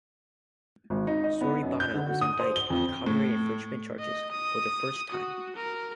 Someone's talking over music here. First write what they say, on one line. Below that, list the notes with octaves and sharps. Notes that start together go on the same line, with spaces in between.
Soribada was indicted on copyright infringement charges for the first time.
G#1
D#4
D#5
B3
F#2
G6
D3
F#4
D#6
C5
G7
F2
A2
D#5
D#6
F#4
A#4